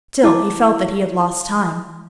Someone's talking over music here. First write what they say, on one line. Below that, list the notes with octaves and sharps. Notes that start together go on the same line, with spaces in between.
Still, he felt that he had lost time.
E4 A5 D6